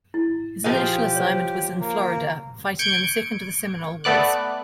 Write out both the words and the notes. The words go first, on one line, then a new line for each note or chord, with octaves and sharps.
His initial assignment was in Florida fighting in the second of the Seminole Wars.
E4
F3 G4 G#4 D#5
C5 C#5
A#3
G6 G#6 C#7 D7
A3 B3 D5 F#6